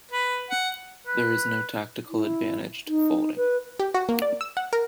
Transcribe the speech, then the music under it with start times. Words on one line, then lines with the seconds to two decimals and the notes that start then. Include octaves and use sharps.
There is no tactical advantage to folding.
0.12 B4
0.50 F#5
1.07 B4
2.09 E4
2.87 D#4
3.36 B4
3.80 G4
3.95 F#4
4.09 A#3
4.22 D5
4.41 E6
4.57 F#5
4.73 A#4